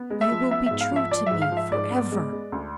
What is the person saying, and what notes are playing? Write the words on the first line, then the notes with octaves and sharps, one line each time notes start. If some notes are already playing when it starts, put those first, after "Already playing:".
"You will be true to me forever."
Already playing: B3
G#3
E5
F3
B3 E5
G#2 E5
F5
F3 E5
F3 D5
G#2 E5
F5
F3
E5
G#2 D5
B3
G#3
G#3
D2